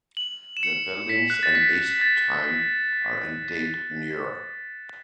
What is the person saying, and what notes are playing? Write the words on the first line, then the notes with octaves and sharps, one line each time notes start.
The buildings in East Town are indeed newer.
F#7
E7
C#7
B6
F#6
A6
B6
A6